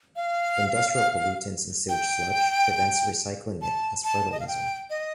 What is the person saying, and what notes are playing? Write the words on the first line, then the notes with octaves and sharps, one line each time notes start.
Industrial pollutants in sewage sludge prevents recycling it as fertilizer.
F5
G5
A5
A5
D#5
F5
G5
D#5